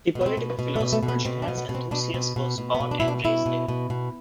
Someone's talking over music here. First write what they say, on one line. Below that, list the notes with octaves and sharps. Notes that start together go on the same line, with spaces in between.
The political philosopher Johannes Althusius was born and raised there.
B2
B3
C4
B2
B2
A3
B2
A3
B2
B3
B2 C4
D4
B2
B3
B2
C4
B2 D4
B2 C4
B2
B2
B3
B2
D4
B2 E4
D4
B2 E4
B2
B2
B2